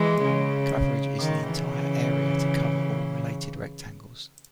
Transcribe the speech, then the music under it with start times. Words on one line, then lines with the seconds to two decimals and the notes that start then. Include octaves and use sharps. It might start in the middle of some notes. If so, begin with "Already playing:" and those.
Coverage is the entire area to cover all related rectangles.
Already playing: E3 G#3
0.24 C#3
1.19 D#3
1.51 C#3 E3